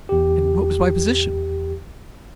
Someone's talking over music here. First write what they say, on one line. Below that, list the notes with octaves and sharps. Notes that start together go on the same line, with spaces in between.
And what was my position?
E2 G4